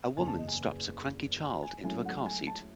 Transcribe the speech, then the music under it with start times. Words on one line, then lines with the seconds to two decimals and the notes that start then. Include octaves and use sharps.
A woman straps a cranky child into a car seat.
0.17 F#1 E2 C#3 G#5
0.28 A5
0.38 D#5
0.48 G#5
1.43 G#5
1.63 G#5
1.84 G#2 F#3 A3 C#4 E4 G#5
2.05 F#5
2.26 G#5
2.47 A5